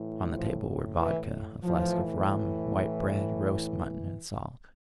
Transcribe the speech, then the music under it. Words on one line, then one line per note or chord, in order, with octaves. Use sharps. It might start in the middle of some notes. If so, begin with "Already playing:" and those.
On the table were vodka, a flask of rum, white bread, roast mutton, and salt.
Already playing: A2 E3
F3
E3
A2 E3 F3